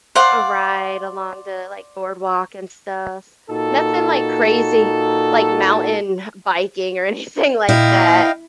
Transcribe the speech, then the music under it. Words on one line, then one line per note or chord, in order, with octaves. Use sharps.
a ride along the, like, boardwalk and stuff. Nothing like crazy, like mountain biking or anything like that.
C5 D5 F5 F#5
A#2 D#4 F#4 A4
A#2 E4 D#5 F5 G5